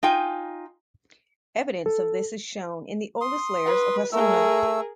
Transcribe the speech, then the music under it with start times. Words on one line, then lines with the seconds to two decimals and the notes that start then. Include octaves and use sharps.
Evidence of this is shown in the oldest layers of Hassuna.
0.03 D#4 F4 G5 G#5
1.86 A4
3.21 C6 D#6
3.66 B4
4.12 A3 G#4 A#4 E6